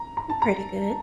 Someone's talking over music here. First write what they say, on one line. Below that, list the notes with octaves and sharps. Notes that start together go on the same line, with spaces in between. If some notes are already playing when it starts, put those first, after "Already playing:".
M pretty good.
Already playing: A#5
A#5
A5
A#5